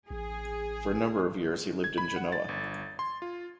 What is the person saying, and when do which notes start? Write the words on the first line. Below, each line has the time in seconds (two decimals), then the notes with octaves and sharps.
For a number of years he lived in Genoa.
0.10 A1 G#4
1.84 G#6
1.98 B5
2.16 F#5
2.32 A6
2.49 G1
2.99 C6
3.22 F4